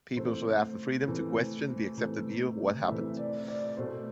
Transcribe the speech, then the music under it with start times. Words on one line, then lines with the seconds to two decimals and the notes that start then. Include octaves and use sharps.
People should have the freedom to question the accepted view of what happened.
0.17 C3 E3 A3 C5
1.08 C3 E3 A3
1.97 C3 E3 A3
2.88 C3 E3 A3 E5
3.17 D5
3.48 D5
3.77 B2 A3 C5